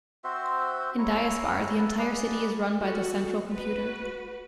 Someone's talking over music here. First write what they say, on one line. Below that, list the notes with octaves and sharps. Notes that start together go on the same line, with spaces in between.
In Diaspar, the entire city is run by the Central Computer.
C4 F#4 C5 E5
E4 C#5 A#5
E4 B4 A5
G#4 B4 D5 D#5
F#4 A4
F#4 B4